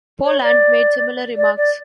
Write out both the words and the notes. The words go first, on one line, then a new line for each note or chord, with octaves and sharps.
Poland made similar remarks.
C#5
D5
D5
D5